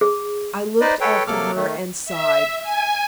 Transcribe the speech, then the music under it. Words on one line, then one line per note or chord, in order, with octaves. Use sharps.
I looked after her and sighed.
G#4
D#4 B4 C5 D5 D#5
A4 B4 C#5 G5
C3 F#3 A#3 A4 D6 F6
D#3 A3
E5
G#5